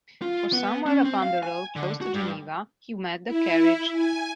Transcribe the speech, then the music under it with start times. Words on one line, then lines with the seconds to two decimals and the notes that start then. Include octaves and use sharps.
For somewhere upon the road close to Geneva he met the carriage.
0.22 F4
0.53 B3
0.86 C#4
1.04 C4
1.22 F5
1.43 G#5
1.76 D3
2.01 F#4
2.14 G2
3.27 E4
3.93 G#5